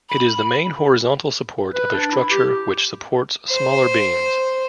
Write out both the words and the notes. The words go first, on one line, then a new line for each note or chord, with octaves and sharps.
It is the main horizontal support of a structure which supports smaller beams.
B5
B4
D4
E4
G4
C5